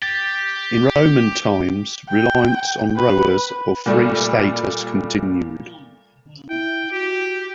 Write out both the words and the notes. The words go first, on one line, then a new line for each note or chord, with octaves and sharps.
In Roman times, reliance on rowers of free status continued.
G4 A6
G5
B4
A#2 G3 A3
E4 G5
F#4 G4